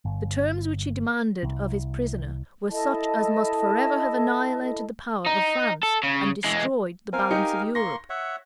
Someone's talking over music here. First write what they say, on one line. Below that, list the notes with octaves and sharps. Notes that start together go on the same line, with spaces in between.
The terms which he demanded of his prisoner were such as must forever have annihilated the power of France, and destroyed the balance of Europe.
G1
C2
E4 A4 D#5 A5
D#4
A4
C#3
E3 G#3
C4 A#4 F5 G#5
D#4 G4 C#7
A#3 C6 C#6 A#6
C#5 E5 F#5